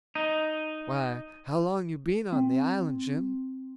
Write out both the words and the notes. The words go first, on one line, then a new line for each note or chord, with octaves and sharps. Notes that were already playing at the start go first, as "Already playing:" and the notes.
"Why, how long you been on the island, Jim?"
D#4
C4